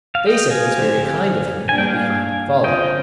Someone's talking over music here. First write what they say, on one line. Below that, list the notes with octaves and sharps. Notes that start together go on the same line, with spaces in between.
They said it was very kind of him, and fell behind, and followed.
F5
D#5 G5
F5 G#5
D3 F3 C4 G4 C5
G3 A#3 D4 G4 G#5
G5
F5 G#5
D3 F3 C4 F4 D#5 G5